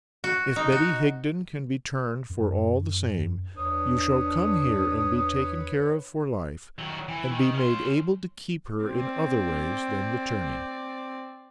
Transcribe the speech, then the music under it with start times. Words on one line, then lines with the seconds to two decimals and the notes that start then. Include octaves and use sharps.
If Betty Higden can be turned for all the same, you shall come here and be taken care of for life, and be made able to keep her in other ways than the turning.'
0.24 F#4
0.56 D#4
0.72 F#4
2.29 F#2
3.57 E2 D4 B4 C#5 D#6
6.78 D#3 F#3
7.08 E3
7.31 D#3
7.54 C#4 C6
8.84 C4 D5